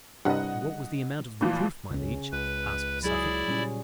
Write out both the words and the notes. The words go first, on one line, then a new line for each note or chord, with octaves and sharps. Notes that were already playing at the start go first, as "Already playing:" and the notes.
"And what was the amount of the proof, my liege?" asked Suffolk.
C2 G2 D#5 F#5
A#2 E3 F3
C#2 C#3 C#4
C#2 B4
F#3 E4 G#4 D5
A#2 G3 C#4